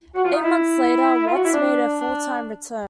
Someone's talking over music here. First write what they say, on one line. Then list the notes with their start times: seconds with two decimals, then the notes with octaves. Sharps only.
Eight months later Watts made a full-time return.
0.15 F#4
0.24 F4
0.34 D#4
0.43 E4
1.27 F4
1.36 F#4
1.45 E4
1.54 D4
2.01 D4